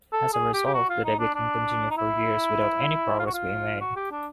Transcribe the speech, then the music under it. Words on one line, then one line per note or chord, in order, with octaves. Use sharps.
As a result, the debate can continue for years without any progress being made.
A4
G#4
G4
G4
F#4
F4
D#4
D4
D4
D#4
E4
F4
F#4
F4
F#4
G4
D4